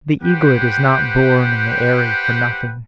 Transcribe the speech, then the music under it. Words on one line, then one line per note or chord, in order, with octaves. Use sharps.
The eaglet is not born in the eyrie for nothing.
G4 B4 C5 F#5 G5